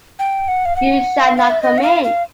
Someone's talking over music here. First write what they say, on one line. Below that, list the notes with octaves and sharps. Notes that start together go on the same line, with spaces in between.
You shall not come in.
G5
F#5
F5
F#5
F5
F5
E5
D#5
F#5
F5
F5